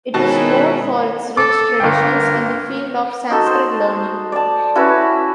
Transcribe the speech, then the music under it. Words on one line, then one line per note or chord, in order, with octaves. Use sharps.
It is known for its rich traditions in the field of Sanskrit learning.
B2 D#3 G#3 C#4 E4 F#4 A5
A4 D6
G1 A#4 G5
D#4 F#4 A4
C5
D5 A5
C#4 E4 F#4 B4